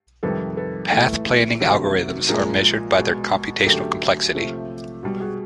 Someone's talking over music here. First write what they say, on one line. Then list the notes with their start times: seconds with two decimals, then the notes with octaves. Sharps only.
Path planning algorithms are measured by their computational complexity.
0.23 F2 C3 D#3 G3 A4 B4
0.57 A4 B4
0.92 A2 E3 A3
1.60 C3 D#3 F#3 A3
2.29 A#2 F3 G#3 G#4 A#4
2.97 B2 G#3
3.62 A#4
3.66 F#2 D3 F#3 A3 G4 A4
4.35 C3 F3 A3
5.03 B2 G3
5.20 F#4 G#4